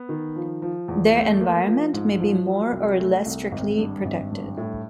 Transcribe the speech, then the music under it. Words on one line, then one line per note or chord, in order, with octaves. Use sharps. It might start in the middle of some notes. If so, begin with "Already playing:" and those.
Their environment may be more or less strictly protected.
Already playing: B3
D#3
F3
F3
E2
A3
A#3
F3
G#2
F3
F#3
C2
A3
C2
G#1
G2
G#1
G2
A2